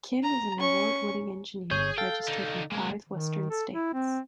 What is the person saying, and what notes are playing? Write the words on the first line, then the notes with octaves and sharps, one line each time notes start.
Kim is an award-winning engineer, registered in five western states.
A#5
C#4 C#6
G1 G#4 C#5 G6
A4 F5 G5 A6
D3 D#4
G#3 A#3
D#3
A4
E4
C4